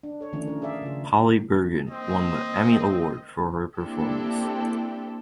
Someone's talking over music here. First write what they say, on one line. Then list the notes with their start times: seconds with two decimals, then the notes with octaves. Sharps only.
Polly Bergen won the Emmy Award for her performance.
0.03 D4
0.21 A4 C#5
0.33 D3 D#3 F3 A3 C#4 D4
0.47 C#4 A#4
0.62 G#4 A#4 D5 E5 F5
0.82 C#3 F4
1.91 A#3 C4 D#5
3.79 A#3 C4 D4 E4 G4 A4